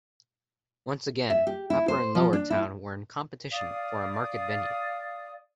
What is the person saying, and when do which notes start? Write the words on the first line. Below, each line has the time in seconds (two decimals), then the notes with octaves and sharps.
Once again Upper and Lower Town were in competition for a market venue.
1.30 E5
1.47 G4
1.70 E4
1.88 C5
2.15 F3
2.33 D4
2.50 E4
3.51 D5 F5 D#6